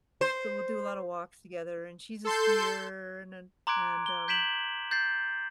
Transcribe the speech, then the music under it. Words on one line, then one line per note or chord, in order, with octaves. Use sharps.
so, we'll do a lot of walks together, and she's a skier and an and, um,
C5
A4 C6 G6
A#5 C6 D6 F#6 G#6 D7
G7
G6 G#6 B6 D7 E7 F#7
G6 A6 C7